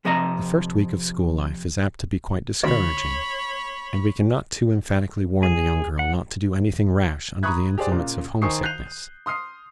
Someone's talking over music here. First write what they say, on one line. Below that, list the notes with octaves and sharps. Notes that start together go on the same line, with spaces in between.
The first week of school life is apt to be quite discouraging, and we can not too emphatically warn the young girl not to do anything rash under the influence of homesickness.
F2 C3 F3 D#5 E5 A#5
D2 C4 C#5 B5
G#4
F#5
A#5 B5 C#6 D#6 F#6 G#6
G4 G#4 C5 D5
A#2 C#3
D#3 C5 G#5 C#6 D#6 C7
F#6 G6 C7 D#7 F7
C6 D#6 F6 C7